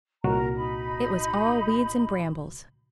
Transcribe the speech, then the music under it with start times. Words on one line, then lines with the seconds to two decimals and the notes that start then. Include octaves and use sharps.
It was all weeds and brambles.
0.24 C2 A#2 F#4 A#4 A#5
0.55 D#4 B5